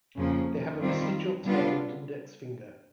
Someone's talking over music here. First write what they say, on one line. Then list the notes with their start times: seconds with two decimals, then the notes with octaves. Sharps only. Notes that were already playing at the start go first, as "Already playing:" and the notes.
They have a vestigial tail and index finger.
0.16 F2 C#3 F3 A#3
0.79 D#3 G3 C4 F4
1.44 D3 G3 B3 D4 F4